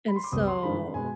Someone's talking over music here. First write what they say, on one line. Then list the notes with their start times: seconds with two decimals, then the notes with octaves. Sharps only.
and so
0.08 B5
0.16 C6
0.24 D6
0.32 C2 C3 G3 B3 D#6
0.48 C6
0.63 G2 D#3 G#3 B5
0.94 B2 G#3 G#5